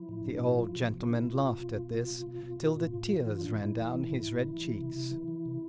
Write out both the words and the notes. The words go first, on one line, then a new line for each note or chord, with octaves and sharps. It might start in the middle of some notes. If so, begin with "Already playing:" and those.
The old gentleman laughed at this, till the tears ran down his red cheeks.
Already playing: F3 E4
A2
A2 D4
F3 E4
F3 F4
B2
B2
F4
B2 D4 E4
B2 F4
B2
B2
B2
B2
B2
B2
B2
B2
A2
A2
E3
E3 F4
A2 D4
E4
A2
E3
E3
A2
A2
E3
E3
C3 E4
C3
E3
E3
C3